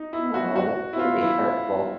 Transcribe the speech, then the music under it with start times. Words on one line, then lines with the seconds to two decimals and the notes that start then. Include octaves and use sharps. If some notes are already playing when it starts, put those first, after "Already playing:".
Oh, that's gotta be hurtful.
Already playing: D#4
0.13 E4
0.34 F#4
0.56 F#4
0.93 E4
0.99 F4
1.21 E4